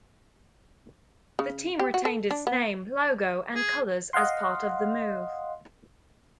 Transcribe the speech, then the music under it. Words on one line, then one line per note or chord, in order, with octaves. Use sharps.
The team retained its name, logo and colors as part of the move.
C#3
G4
F#4
A4
D4
B3
G#4
D#5 F5 F#5 C6